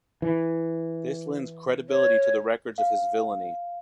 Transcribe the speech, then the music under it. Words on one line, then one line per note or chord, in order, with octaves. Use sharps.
This lends credibility to the records of his villainy.
E3
C#5
F5